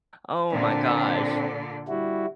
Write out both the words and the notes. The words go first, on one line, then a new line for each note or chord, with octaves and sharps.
Oh my gosh.
A#2 D3 C4 D4
G3 E4 F#4